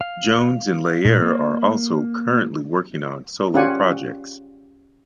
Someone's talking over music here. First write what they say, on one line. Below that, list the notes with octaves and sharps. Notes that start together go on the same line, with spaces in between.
Jones and Lallier are also currently working on solo projects.
F5
A#2
A#3
C#4 F4 G4 D5 F#5 G#5